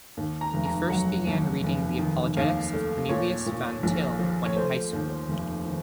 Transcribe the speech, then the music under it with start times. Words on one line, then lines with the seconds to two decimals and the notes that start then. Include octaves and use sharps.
He first began reading the apologetics of Cornelius Van Til when in high school.
0.17 D#2
0.41 A#5
0.54 F1
0.65 A#5
0.90 F#3 F#5
1.27 D#2
1.64 F1
1.99 D#3
2.37 D#2 F5
2.73 A3
3.09 A#2 C#5
3.46 A#2
3.83 A#1
4.19 F3
4.46 C#5
4.56 A3 C5
4.93 D#2
5.28 F1
5.65 D#3